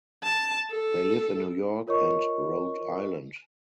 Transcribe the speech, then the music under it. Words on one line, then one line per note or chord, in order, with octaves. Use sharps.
They live in New York and Rhode Island.
A5
A4
F4 A#4 C#5 D#5 C#6